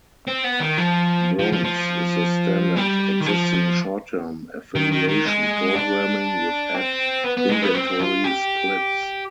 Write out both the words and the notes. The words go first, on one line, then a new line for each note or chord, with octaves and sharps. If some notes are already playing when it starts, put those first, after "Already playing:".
Bronze is the standard existing short term affiliation, programming with ad inventory splits.
C4
B3
D#3
F3
F3
F3
F3
G3
D#3
F3
D#3
D#3
D#3
G#3
D4
C4
B3
B3
G#3
B3
C4
F4
G4